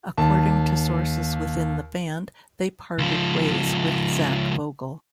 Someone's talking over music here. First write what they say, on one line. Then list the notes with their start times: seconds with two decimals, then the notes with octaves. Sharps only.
According to sources within the band, they parted ways with Zach Vogel.
0.18 D#2 A5
2.98 C#2 F3